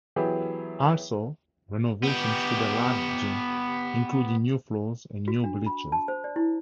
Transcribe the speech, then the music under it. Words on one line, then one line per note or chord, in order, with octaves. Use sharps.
Also, renovations to their large gym including new floors and new bleachers.
E3 F#3 B3 E4 G4 G#4
B3 G4
F#4
D4
B5
A5
C5
D5
E4